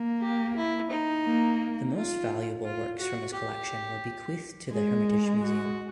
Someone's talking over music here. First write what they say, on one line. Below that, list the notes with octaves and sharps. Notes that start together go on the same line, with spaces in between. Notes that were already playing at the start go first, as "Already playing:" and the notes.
The most valuable works from his collection were bequeathed to the Hermitage Museum.
Already playing: A#3
G4
E4
D#4
A#3
F4
F4
F#4
G4
G#3 G#4
F#4